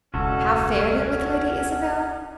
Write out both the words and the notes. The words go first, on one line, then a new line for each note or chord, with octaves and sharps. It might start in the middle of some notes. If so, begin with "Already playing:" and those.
How fared it with Lady Isabel?
E1 C#2 C#4 F#4 A4